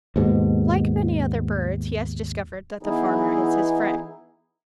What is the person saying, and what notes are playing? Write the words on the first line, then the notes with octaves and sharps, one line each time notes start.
Like many other birds, he has discovered that the farmer is his friend.
D#2 G#2 B2
E3 B3 D#4 E4 G#4